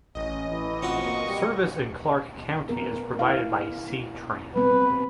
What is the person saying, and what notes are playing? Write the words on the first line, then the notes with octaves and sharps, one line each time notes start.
Service in Clark County is provided by C-Tran.
A1 C#4 D#5
E3
C4 F4 F#4 C#6
A#3 D#5
G3
B3 A#4
E4 F5
G3 B3 C4 B4